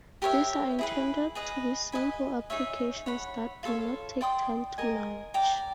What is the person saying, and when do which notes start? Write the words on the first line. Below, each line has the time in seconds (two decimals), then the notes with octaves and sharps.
These are intended to be simple applications that do not take time to launch.
0.22 G4 A#4 C#5 E5
0.79 E4 G#4 B4
1.35 G#4 B4 D#5
1.92 B4 D#5 G#5 B5
2.50 D#4 G#4 C#5 E5
3.06 C#5 F#5 B5
3.63 F4 A4 C#5 F5
4.21 D5 G5 C6 D#6
4.78 A#4 D#5 G#5
5.34 D5 G5 A#5